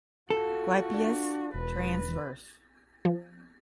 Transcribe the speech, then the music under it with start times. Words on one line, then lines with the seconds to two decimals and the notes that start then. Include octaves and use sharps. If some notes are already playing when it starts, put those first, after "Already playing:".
Clypeus transverse.
0.30 F4 F#4 A4
0.94 D4
1.54 E1 B4
3.05 F3